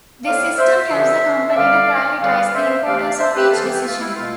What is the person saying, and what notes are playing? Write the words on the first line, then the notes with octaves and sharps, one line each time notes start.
This system helps the company to prioritise the importance of each decision.
A2 F3 B3 D5 F5
C5 E5
G2 D3 F3 B3 C5 E5
E5
F2 D3 G3 B3 D5 F5
E2 D3 G3 B3 D5 F5
C5 E5
C3 E3 A3 D5 F5
D5 F5
C5 E5
G4 B4
C3 E3 B3 F4 A4
E4 G4
F4
E4
B2 A3 F4